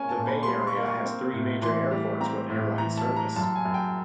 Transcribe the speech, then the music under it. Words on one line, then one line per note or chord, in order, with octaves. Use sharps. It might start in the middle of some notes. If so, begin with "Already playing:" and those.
The Bay Area has three major airports with airline service.
Already playing: A#3 C#4 G#5
A5
A#2
B5
C6
G3 B5
C6
C#6
A#3
C#6
C4
A2
E3 C6
G3
C4 A#5
A2
E3 A#5
A5
G3
A#5
F#2 A5
G#5
F#2
G5